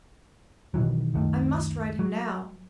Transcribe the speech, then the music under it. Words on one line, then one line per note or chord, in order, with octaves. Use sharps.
I must ride him now.
B2 D#3 E3 F#3
C#2 F#2 D#3 A3
F#3